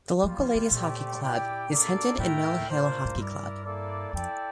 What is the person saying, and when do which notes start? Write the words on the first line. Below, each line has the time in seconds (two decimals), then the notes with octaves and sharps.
The local ladies hockey club is Hendon and Mill Hill Hockey Club.
0.22 F3 G3 A#3 F4
0.38 E3
0.55 D3
0.71 A#2 A3 C4 G4 D5 G5
1.21 E4 G4 D5 G5
1.69 A#3 D4 A4 D5
2.18 A2 A3 E4 A#4 E5 G5
2.66 A#3 D4 F4 C5
3.05 A2
3.15 G2 E4 A#4 D5
3.64 A#3 E4 A4 D5
4.13 F2 E4 A4 D5 G5